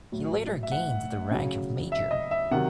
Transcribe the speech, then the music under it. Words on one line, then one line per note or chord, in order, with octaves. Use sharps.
He later gained the rank of Major.
A2 F#3
E5
F#5
C#3 F#3
E5
D#5
E5
C3 D#3 F#3 F#5